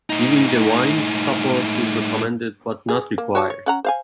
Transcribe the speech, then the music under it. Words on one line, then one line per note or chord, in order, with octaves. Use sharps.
Giving the vines support is recommended, but not required.
A2 D#4
G#4
A#3
F#4 C#5 A5
C#5
C#4 F#5 A#5
C5 F5 G#5